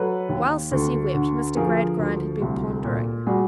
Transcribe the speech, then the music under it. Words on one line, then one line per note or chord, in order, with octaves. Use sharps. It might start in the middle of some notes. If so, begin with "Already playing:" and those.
While Sissy wept Mr. Gradgrind had been pondering.
Already playing: F#3 A4 B4
D#2
D2
D3
F3 G#4 A#4
D2
C2
A#2
G3 F#4 G#4